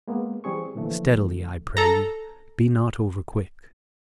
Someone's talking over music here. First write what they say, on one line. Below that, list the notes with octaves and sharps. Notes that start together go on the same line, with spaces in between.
Steadily, I pray you; be not over-quick.
G#3 A#3 B3
E3 G3 C4 G#4 C#6
A#2 D3 E3 F3 A3
A4 A#5